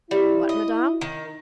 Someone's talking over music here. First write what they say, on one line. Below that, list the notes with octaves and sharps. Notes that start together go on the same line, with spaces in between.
"What, madame?"
G3 E4
D#5
D#3